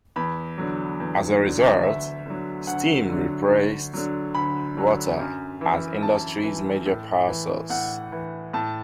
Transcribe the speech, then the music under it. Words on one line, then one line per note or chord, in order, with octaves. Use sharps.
As a result, steam replaced water as industry's major power source.
E2 B5
D3 F#3
E2
D3 F#3
D2 E5
D3 F#3
D2 F#5
D3 F#3
D2
D3 F#3
D2 B5
D3 F#3
F#2
E3
F#2 A5
E3
A2
E3
A2 F#5
E3
A2 A5